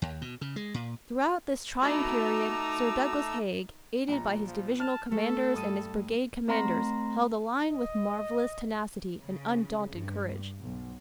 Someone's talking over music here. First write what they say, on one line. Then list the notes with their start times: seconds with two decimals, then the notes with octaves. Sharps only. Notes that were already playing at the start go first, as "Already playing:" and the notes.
"Throughout this trying period, Sir Douglas Haig, aided by his divisional commanders and his brigade commanders, held the line with marvelous tenacity and undaunted courage."
0.02 D#2
0.21 B2
0.41 C#3
0.56 G#3
0.74 A#2
1.83 A3 D#4 F#4 A#5 B5 D6 E6
4.08 A#1 A#5
4.47 F3
4.80 A5 F6
5.12 A3 A4
5.54 G2 D#6 D#7
6.48 A3 C4 A#5 C6 A#6
7.70 D#1 D#5
9.22 C#3
9.90 G2
10.60 B1